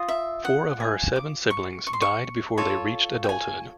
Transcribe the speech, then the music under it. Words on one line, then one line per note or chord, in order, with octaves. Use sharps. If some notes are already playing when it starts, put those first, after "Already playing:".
Four of her seven siblings died before they reached adulthood.
Already playing: F4 D#5
E5
F#5
G#5
D6
C#6
C#6
C6
C#6
F4 A4 C#5
G5
G#5